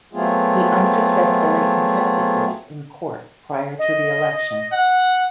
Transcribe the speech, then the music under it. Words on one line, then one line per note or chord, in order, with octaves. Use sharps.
He unsuccessfully contested this in court prior to the election.
F#3 A3 B3 C4 F4 G#4
D#5
F#5